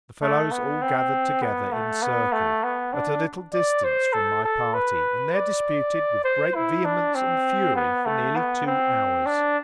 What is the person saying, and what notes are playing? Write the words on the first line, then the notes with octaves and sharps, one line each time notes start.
The fellows all gathered together in circle, at a little distance from my party, and there disputed with great vehemence and fury for nearly two hours.
A3
B3
C4
B3
A3
B3
A3
B3
D4
D5
C5
A4
A4
B4
D5
C5
E4
D4
C4
B3
A3
B3
C4
D4